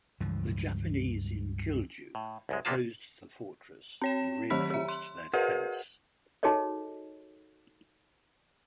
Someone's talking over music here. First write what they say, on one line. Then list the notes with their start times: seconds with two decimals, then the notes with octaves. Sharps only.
The Japanese in Kilju closed the fortress and reinforced their defence.
0.20 C#2 G2 E3 F3
2.15 A2
2.49 C2 F#2 G#3
2.65 E2 C3 A#3 B3 F4 A5
4.02 C4 C#5 E7
4.50 D#3 F#3 G4 B5 B6
4.70 G4 E5
4.89 C6
5.33 F#4 G#4 A#4 B4 D#5 F#5
6.43 D#4 F#4 G#4 A4 C#5 D#5